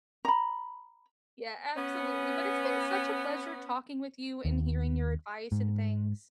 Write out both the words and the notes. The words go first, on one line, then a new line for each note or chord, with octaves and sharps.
Yeah, absolutely, but it's been such a pleasure talking with you and hearing your advice and things.
A#5 B5
B3 C#4
D#2
G#2